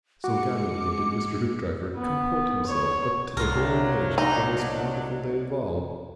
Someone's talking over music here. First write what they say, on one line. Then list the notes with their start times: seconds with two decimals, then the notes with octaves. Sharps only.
So gallantly did Mr. Hoopdriver comport himself up to the very edge of the Most Wonderful Day of all.
0.24 G#3 F#4 D6 C#7
1.97 B3
2.67 C#5
3.37 C2 F#3 D4 F4 A#4
4.18 D#4